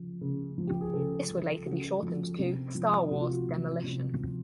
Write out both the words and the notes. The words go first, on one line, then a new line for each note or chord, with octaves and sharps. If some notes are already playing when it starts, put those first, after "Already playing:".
This would later be shortened to "Star Wars: Demolition".
Already playing: C#3 F3
C#3
F3
G4
G#4
C#3 A4
F3
C#3 F#4
F3
C3
F3
C3 F#4
F4
F#4
F3
C3
F3